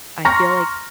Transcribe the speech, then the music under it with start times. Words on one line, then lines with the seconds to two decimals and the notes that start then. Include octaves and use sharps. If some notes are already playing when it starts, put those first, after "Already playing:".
I feel like
0.25 A#5 C6 C#6 F6 A#6